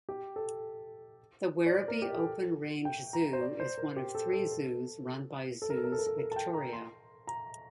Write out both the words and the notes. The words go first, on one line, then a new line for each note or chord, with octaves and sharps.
The Werribee Open Range Zoo is one of three zoos run by Zoos Victoria.
G4
A4
D5
C5
A#4
G4
A4
G5
A#5
C5
D5
C5
A#4
G4
A4
A4
A4
A4
A#4
A4
A#4
A4
A#4
A4
A#4
A5
G5
A#5
C6
A#5